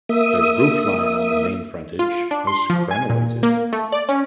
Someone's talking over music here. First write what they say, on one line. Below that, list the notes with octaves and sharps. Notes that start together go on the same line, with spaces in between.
The roofline on the main frontage was crenelated.
A#3 E5 D#6
F4
D4
C6
F3
G#5
A#2
A#3
A3
D5
C#4